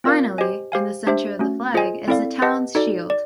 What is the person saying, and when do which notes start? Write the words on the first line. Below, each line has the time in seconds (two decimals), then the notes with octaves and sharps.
Finally, in the center of the flag is the town’s shield.
0.04 C4 F4 A#4 D5 F5
0.38 G4 C5 D#5 G#5
0.72 G4 C5 F5 G#5
1.07 D4 G4 C5 E5
1.39 A3 C#4 F#4
1.74 F4 G#4 C5 D#5 G#5
2.08 C4 E4 A4 D5 F5
2.42 G4 B4 D#5 F#5 A5
2.75 D#4 F#4 A4 D5
3.10 D5